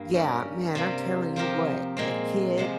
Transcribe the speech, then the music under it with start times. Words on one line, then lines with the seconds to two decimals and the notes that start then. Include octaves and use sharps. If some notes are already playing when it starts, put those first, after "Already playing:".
Yeah, man, I'm telling you what, a kid,
Already playing: G2 A#3
0.14 G3 C#4 G4 A#4
0.75 C3 G3 A#3
1.36 F3 C4 G4 A#4
1.97 A#2 G#3 C4
2.58 C3 F3 G#3